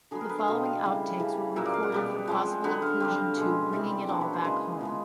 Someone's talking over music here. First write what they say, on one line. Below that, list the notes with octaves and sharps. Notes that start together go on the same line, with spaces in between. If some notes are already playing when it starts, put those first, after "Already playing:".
The following outtakes were recorded for possible inclusion to "Bringing It All Back Home".
D3 F#3 B3 G#4
A#4
B4
F5
B2 F#3 A3 C4 D#5
F5
C#3 E3 G3
C#3 E3 G3
A#2 F#3 A#3 E5
D5
F5
F#5
B2 G3 B3
F3 G#3 C4
D3 F#3 B3 F#5
F5
D3 G3 C4
B2 G#3 C#4
C3 E3 G3 C4 E5
D5
B2 F#3 A#3 D4 C#5
B4
C5
C#3 E3 G#3 D#5
F3 G#3 B3